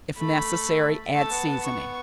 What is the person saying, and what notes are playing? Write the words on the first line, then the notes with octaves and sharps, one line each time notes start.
If necessary, add seasoning.
A3 B5
A3 A5
B3
B3
C#6